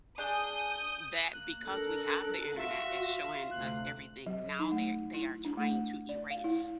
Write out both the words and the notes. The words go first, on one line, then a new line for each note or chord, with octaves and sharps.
that because we have the Internet that's showing us everything, now they they are trying to erase,
D4 G#4 D#6 G6
A#3 F#6
D4 A4 A#4
F4 F#4 E5
D2 C3 F#6
F#3
D#4
A3
E4
D4
A3
D5
F5
E4